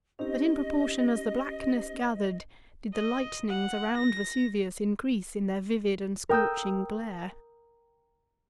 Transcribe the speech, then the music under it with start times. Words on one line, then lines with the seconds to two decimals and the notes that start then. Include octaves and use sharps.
But in proportion as the blackness gathered, did the lightnings around Vesuvius increase in their vivid and scorching glare.
0.19 C4 C#4 D#4 G4 D#5
2.94 D#5
3.49 F#5
3.98 A#6
6.29 A#4 G5 D#6 E6 G6